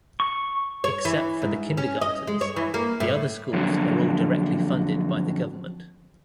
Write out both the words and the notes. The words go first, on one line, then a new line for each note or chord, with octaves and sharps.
Except for the kindergartens, the other schools are all directly funded by the government.
C#6
C#5
E3
G#2
C#4
D#5
G#3
C#5
E3
A#3
A2
F2 D3 F#3